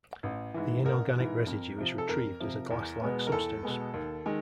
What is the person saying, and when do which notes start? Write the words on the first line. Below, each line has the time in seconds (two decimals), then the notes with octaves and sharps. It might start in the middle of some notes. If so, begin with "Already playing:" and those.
The inorganic residue is retrieved as a glass like substance.
0.23 A1
0.54 G#2 E3
0.84 A1 A#4
1.17 G#2 E3
1.47 F2
1.78 C3 F3
1.98 A4
2.09 F2 A#4
2.40 C3 F3
2.71 E2
3.01 B2 G#3 B3
3.27 A#4
3.32 E2 A4
3.63 B2 G#3 B3
3.94 D#2
4.26 D#3 G#3